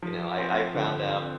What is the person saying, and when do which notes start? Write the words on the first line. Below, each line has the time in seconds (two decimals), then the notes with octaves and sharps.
you know, I I found out
0.02 F3
0.39 C4
0.74 D3
1.11 C4